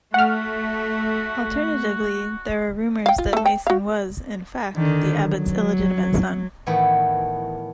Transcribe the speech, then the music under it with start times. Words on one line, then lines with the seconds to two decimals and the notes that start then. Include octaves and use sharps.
Alternatively, there are rumours that Mason was, in fact, the abbot's illegitimate son.
0.14 A3 F#4 F#5 F6
3.06 F5 G5
3.18 F4
3.33 A3 A4
3.46 G5
3.67 F#4 F5
4.75 D3 D#3
5.27 F#3
6.66 A2 D#3 E3 B3